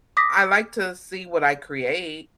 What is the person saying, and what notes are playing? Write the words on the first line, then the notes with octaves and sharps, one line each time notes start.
I like to see what I create,
D6 D#6 A#6 B6